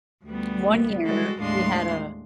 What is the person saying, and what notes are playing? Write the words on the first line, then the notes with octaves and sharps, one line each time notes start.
One year we had a
D2 G3 B3
G3 G#3 F#4 A4
D#2 A2 G#3 D4 F5 C6